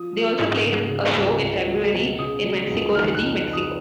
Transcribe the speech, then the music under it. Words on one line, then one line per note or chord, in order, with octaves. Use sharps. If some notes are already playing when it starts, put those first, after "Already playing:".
They also played a show in February in Mexico City, Mexico.
Already playing: F3 D#6
F3
G#2
C#3
C#3
C#2
C#2
F#3
B2
C#3 D#6
F#3
C#2
D#3 F6
F#6
F2
F2
D#6